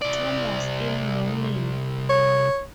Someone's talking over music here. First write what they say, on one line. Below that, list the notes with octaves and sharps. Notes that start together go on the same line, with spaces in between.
Tom was in mourning.
C2 D5
C#5